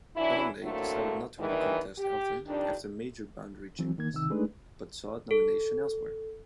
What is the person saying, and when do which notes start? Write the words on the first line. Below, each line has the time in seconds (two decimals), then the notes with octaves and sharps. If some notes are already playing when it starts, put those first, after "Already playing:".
Bottomley decided not to re-contest Eltham after major boundary changes, but sought nomination elsewhere.
0.16 E3 F#3 D4 E4
0.63 A2 D3 F#3 A3 A#3 C4
1.39 E2 G2 A#2 D#3 E3
1.98 G4
2.46 F2 D#3 G3 D4
3.79 E3 F#3 C4
3.98 D#3 A#3 G#6
4.13 C#2 C3 D#3 E6
4.30 G#3 A3 D4 D#4 G#4 B4
5.31 A4